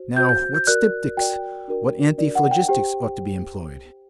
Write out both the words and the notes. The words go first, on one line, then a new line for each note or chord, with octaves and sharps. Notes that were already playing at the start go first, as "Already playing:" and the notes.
Now, what styptics, what antiphlogistics ought to be employed?
Already playing: F#4 C5
F#4 C5 G6
G6
G6
F#4 A#4 D5 F#6
F#4 A#4 D5 G5
D4 F#4 A#4 D5
D4 F#4 A#4 D5
F#5
G5
G4 C5 G5